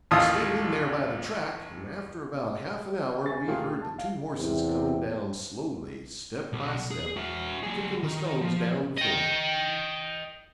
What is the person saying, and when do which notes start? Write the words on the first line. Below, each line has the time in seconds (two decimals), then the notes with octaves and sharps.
We stayed in there by the track, and after about half-an-hour we heard the two horses coming down slowly, step by step, kicking the stones down before them.
0.11 A1 D#2 F4 D#6
3.26 E5 G#5 C#6 A6
3.47 D#3 A3 F4 G4 G#4
3.82 A5
3.98 F5
4.37 E2 C3
6.53 B1
6.91 G#4
7.17 F#4 E5
7.63 F#3 G#4
8.03 D#3
8.41 F3
8.97 D#5 G5